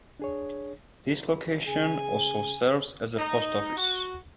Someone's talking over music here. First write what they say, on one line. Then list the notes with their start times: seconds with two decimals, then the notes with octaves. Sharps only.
This location also serves as a post office.
0.19 D4 G#4 C#5
1.04 F#1 C2
1.67 C#3 G#4 G#5
3.17 D#4
3.77 F#4